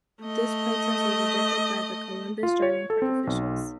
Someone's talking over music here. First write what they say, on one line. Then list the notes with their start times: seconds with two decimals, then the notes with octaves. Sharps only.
This protest was rejected by the Columbus Driving Park officials.
0.23 A3 D#5
2.43 F4
2.62 C#5
2.90 A4
3.02 C4
3.27 B1